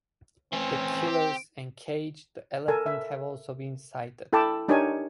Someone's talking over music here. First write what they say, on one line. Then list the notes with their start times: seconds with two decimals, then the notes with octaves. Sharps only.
The Killers and Cage the Elephant have also been cited.
0.53 E3 C4 C#4
1.08 G4
2.68 A4 A#4 G#5
2.86 E5
4.33 E4 A4 G5 A5 B5 D6
4.68 D4 D#4 G4 A#4 C#5 G#5